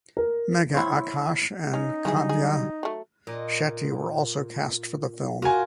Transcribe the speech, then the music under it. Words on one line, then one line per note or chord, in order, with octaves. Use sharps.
Megha Akash and Kavya Shetty were also cast for the film.
A#4
E4 C5 C#5
C#4 D#4
D3 E3 F#3 G3 F4 G#4
G#4
F#3 A3
A#2 D#5
F4 F#4 A#4 G#5